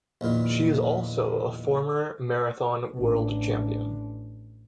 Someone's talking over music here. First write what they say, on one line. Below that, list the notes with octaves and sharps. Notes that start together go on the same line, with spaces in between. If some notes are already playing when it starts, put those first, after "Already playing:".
She is also a former marathon world champion.
A#1 E2 A#2 D#3
A1 D4